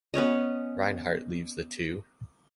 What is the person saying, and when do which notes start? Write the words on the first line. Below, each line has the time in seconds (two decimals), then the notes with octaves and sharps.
Reinhardt leaves the two.
0.14 B3 C#4 C#5 D#5